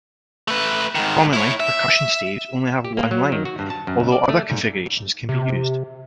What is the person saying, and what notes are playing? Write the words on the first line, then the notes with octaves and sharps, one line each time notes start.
Commonly, percussion staves only have one line, although other configurations can be used.
A3 B4
G#2 D#3
E4 C#5
E5
G4
A#3
F#3
D#3
F#4
G2
A5
F#2
C#2
D5
A3
G#2
C3